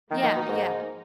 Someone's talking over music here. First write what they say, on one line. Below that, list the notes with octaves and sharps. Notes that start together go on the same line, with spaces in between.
Yeah, yeah.
D#3 F3 A#3 D#4 A#4
D#3
B2
G#2